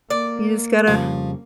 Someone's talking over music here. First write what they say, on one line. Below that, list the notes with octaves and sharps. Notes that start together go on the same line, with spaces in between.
you just gotta
A#3 D5
F2 C#3 F3 G3